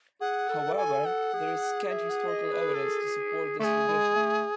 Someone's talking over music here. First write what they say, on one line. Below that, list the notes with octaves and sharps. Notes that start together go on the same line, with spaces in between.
However, there is scant historical evidence to support this tradition.
G#4 F#5
A4
G#5
F#5
G#4
E5
F#5
D#5
D#5
B4
A4
A3 G#4 A4
G#3
A3